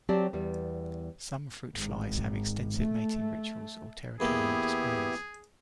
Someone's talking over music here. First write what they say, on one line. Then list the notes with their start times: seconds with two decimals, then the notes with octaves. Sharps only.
Some fruit flies have extensive mating rituals or territorial displays.
0.09 F#3 C4 G4 C5 D5 A5
0.33 E2 G3 B3
1.76 G#1
2.78 A3
4.20 E2 A#3 B3 E4 G4 G#4